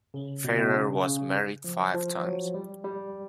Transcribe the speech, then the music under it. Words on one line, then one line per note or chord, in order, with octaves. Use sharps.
Ferrer was married five times.
C#3
B2
B2
C#3
C#3
F3
F3
F#3
G3
G3